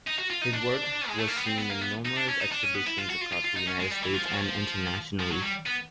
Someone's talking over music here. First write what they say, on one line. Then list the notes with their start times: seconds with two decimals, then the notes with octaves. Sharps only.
His work was seen in numerous exhibitions across the United States and internationally.
0.07 D#4
0.19 F#4
0.30 F4
0.42 D#4
0.54 D4
1.09 G#3
1.19 A3
1.28 A#3
1.37 B3
1.47 C4
1.59 B3
1.70 A#3
1.82 B3
2.05 D#4
2.16 D4
2.28 C#4
2.40 D#4
2.52 D4
2.63 C#4
2.75 B3
2.87 E4
2.98 F4
3.10 F#4
3.21 F4
3.33 F4
3.45 F4
3.57 D#4
3.67 C#4
3.80 G#3
3.91 G3
4.03 E3
4.14 F3
4.26 F3
4.33 F#3
4.41 F3
5.20 F3
5.32 F#3
5.43 G3
5.67 B3